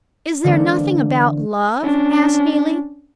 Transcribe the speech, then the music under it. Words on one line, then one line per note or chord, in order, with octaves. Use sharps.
"Is there nothing about Love?" asked Neelie.
D3 E3 G#3 A#3 C4 D4
C#4 D4